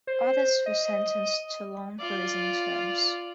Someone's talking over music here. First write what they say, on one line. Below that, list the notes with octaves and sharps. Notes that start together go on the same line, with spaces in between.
Others were sentenced to long prison terms.
C5
D#5
D#5
F4 D5